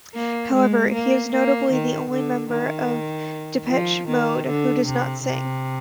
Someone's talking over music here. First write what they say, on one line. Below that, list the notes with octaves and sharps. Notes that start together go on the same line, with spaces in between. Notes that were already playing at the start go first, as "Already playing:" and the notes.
However, he is notably the only member of Depeche Mode who does not sing.
A#3
G#3
A#3
A#3
D#3
D3
D#3
F3
D#3
D3
C3
C3